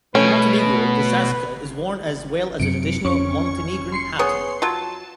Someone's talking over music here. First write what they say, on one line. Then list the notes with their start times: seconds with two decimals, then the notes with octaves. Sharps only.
In Montenegro, the šajkača is worn, as well as the traditional Montenegrin hat.
0.15 B2 A3 C#4 B4
2.60 F#2 C3 C#7 D7
3.05 F2 C#4 C#6 C#7
3.92 C6 C7 C#7
4.19 B3 G#4 C#5
4.62 F#3 F4 A5